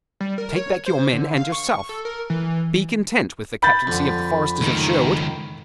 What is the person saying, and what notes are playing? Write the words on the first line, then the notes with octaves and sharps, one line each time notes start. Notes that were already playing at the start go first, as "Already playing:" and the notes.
Take back your men and yourself; be content with the captaincy of the foresters of Sherwood.
G3
A#4
C#5
C5
D3
F5
C#6
A4
A#4
E3
B5 G6 A6
F2 D3
C#2 D#3